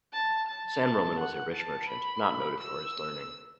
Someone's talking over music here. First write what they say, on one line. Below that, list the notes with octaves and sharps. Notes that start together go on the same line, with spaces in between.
San Roman was a rich merchant not noted for his learning.
A5
A5
F#5
A5
B5
E6